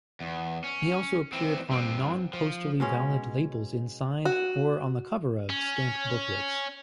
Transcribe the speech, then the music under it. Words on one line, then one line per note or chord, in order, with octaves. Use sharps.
He also appeared on non-postally-valid labels inside, or on the cover of, stamp booklets.
E2
C#4
E3 C4
G2 C4
F3
B2 G#3 C#4
F#4
C#4